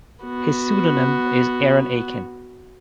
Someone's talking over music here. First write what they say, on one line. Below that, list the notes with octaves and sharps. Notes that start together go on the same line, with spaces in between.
His pseudonym is Aaron Aachen.
B3 F#4